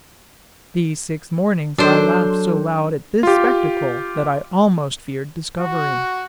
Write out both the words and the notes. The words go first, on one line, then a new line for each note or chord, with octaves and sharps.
These six mornings I laughed so loud at this spectacle, that I almost feared discovery.
F#3 D4 A4 C5
F4 G4
F#4